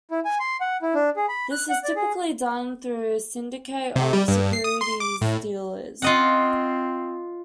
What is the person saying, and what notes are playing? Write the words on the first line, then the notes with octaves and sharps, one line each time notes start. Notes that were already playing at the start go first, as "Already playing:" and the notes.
This is typically done through a syndicate of securities dealers.
E4
G#5
C6
F#5
E4
D4
G#4
B5
F#6
F#5
D5
G#4
C3
G3
G2
C7
D#6
C6
D6
A2
C4 F4 D#5 F#5